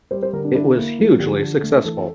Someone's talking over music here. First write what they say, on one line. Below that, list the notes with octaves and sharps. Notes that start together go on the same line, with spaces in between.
It was hugely successful.
G3 C5
C5
D3 A#4
D4
D4 E4
A#3
F3 E4
D3 G4
D4
A3
E3 A4